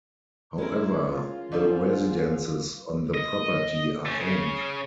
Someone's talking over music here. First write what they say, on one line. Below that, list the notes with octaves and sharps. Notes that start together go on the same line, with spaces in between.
However, the residences on the property are owned.
G#3 C#4 E4 A#4
F4
G#2 D4 C5
D#5
A3 C#4
C#3